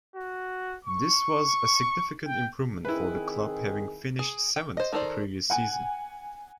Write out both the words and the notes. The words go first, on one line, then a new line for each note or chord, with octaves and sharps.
This was a significant improvement for the club having finished seventh the previous season.
F#4
C#6
G5
D#3 C4 E4 G#4 B4
G#4
G5
C5 D#5
D#3 A4 A#4 C5 D5
F#5 G#5